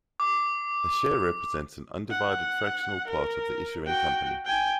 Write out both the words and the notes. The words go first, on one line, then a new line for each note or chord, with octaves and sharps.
A share represents an undivided fractional part of the issuing company.
D6
F#5
A#4
F#4 G5
G5 G#5